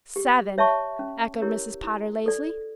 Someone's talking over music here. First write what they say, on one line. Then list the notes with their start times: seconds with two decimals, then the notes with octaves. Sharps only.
"Seven!" echoed Mrs. Potter, lazily.
0.16 G4
0.58 C#5 E5 A5 C#6
0.99 C#4
1.42 E4 G4 A#4 C#5
1.84 E4
2.26 A4 D5